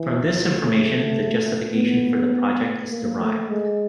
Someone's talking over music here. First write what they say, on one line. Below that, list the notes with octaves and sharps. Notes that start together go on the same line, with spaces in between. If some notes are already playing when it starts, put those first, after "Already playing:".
From this information, the justification for the project is derived.
Already playing: E3
A3
B3
A#3
A3
G#3